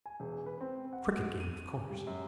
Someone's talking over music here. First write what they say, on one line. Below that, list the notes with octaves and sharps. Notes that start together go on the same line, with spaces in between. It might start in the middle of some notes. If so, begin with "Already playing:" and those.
A crooked game, of course.
G#5
E1
B4
C4
F#5
F#4
D#7
G3
F#2